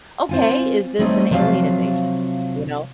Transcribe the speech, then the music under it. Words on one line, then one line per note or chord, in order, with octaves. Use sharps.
"Okay, is this an alien invasion?" You know
C4 F4 G#5
G3 A3 C4 D#4 C#5 D#5
C3 F3 F#3 A4 F5 A5